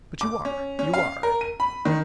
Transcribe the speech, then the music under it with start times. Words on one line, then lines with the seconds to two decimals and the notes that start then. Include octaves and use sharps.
But you are; you are.'
0.21 D6
0.45 C#4
0.79 C#4
0.94 F5
1.23 A#4
1.41 D#7
1.60 B5
1.85 D#3